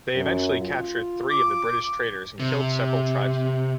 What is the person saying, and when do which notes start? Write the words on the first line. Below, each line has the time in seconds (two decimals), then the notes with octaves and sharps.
They eventually captured three of the British traders and killed several tribesmen.
0.15 F#2
0.61 F4
1.30 D6
2.40 C3